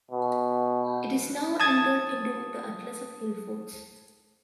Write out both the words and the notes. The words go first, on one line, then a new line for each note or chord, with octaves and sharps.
It is now entered into the Atlas of Hillforts.
B2
A5 D#6 G#6 A6